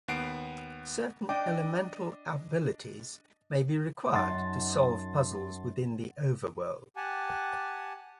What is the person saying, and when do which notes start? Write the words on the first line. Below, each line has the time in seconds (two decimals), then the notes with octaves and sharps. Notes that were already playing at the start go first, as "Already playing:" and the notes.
Certain elemental abilities may be required to solve puzzles within the overworld.
0.08 D#2 B3 F#5 C7 D7
1.29 D4 D#5 G5 D6
4.12 F#2 D#4 F#5 A5 C6 A6
6.96 G4 F#5 G#5 A5